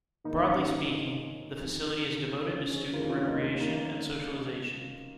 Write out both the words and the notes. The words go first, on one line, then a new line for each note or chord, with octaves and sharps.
Broadly speaking, the facility is devoted to student recreation and socialization.
G#2 D#3 A#3 D#4
C#4
C#4
C#4 F4
F2 D#3
C#4
G#4 C#5
F2 D#3 F4 A#4
C#4 F4
A#3 D#4
C#4
A#3 D#4